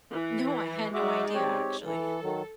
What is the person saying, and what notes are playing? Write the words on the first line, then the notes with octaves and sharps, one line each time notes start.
No, I had no idea, actually.
E3
G#3 D#4 F#4 D5 E5 D6
C4 G4 C#5
E3 A4
D#3 F#3